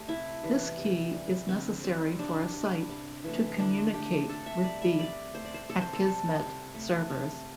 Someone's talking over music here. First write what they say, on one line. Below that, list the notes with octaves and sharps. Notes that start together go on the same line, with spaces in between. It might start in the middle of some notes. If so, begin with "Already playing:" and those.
This key is necessary for a site to communicate with the Akismet servers.
Already playing: A3 G4
C3 E4
E3 G3
C3
G3
D3 C4
G3 C4
C3 D4
G3
C3
E3 A3
D3 D4
A3 G4
C3 A4
E5
G3 D5
E5
C3 D5
A3 C5
D5
C5
C3 A4
C5
A4
G3
C3
A3
C3